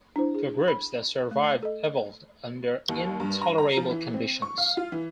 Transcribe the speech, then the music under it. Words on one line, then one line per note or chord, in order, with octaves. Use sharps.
The groups that survived evolved under intolerable conditions.
D4 E4 C5
G#4
B5
A3
A4 D#5
D#2
G2
A#5
A#5
F3
E3
C4
C#6
F5
F4
E3